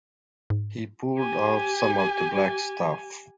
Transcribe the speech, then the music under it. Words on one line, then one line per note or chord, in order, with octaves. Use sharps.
He poured out some of the black stuff.
G#2
G4 G#5